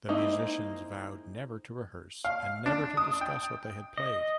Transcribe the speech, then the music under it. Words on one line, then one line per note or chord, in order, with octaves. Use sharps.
The musicians vowed never to rehearse and never to discuss what they had played.
G#3 A#3 C4 D#4 E4
F5
D4
D#6
G5
D#5